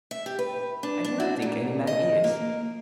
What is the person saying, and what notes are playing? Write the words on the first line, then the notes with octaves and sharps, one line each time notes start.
I do not think any man is.
E5
G4
B4
D4
D4
F#4
A#2
D#5
A#3